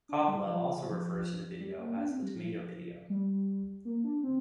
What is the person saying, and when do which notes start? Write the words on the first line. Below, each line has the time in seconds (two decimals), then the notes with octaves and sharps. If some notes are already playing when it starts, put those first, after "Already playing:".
Coppola also refers to the video as the "tomato video".
0.09 D4
0.28 G3
0.46 F3
0.84 F3
1.60 G3
1.79 A#3
1.97 D4
2.10 C4
2.22 G3
2.36 F3
3.10 G3
3.85 A#3
4.04 D4
4.23 C4